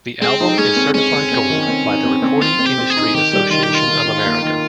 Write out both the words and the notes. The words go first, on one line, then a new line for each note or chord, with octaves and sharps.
The album is certified gold by the Recording Industry Association of America.
G#3 C4
D#4
G#3 C#4
C4
G#3 C#4
C4
C4
D#3
C4
D#4
C4
C4
C4 F4
C4
G4
C4
G#4
D#4
D#3 G4
G3
D#3 F4
G4
D#3 F4
D#3
D#3
A#3
D#3